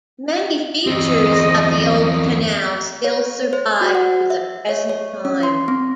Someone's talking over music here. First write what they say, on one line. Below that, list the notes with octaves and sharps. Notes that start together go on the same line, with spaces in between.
Many features of the old canal still survive to the present time.
E2 C4 D#5
C#5
C5
F#4
F#5
E5
C#5
C#5
C#4
C6
C4